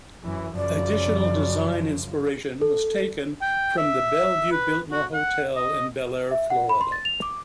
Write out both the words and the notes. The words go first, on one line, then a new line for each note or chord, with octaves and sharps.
Additional design inspiration was taken from the Belleview-Biltmore Hotel in Belleair, Florida.
F#2 E3
F#2 C#3 F3 D5
A4
G5
E5
B4
F#4
F#5
D#5
E5
F#5
B5
C6
A6
F7
D6